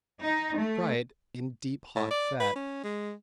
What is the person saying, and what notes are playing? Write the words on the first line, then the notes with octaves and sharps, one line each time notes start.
Fry in deep hot fat.
D#4
A3
A2
D5
B4
C#4
G#3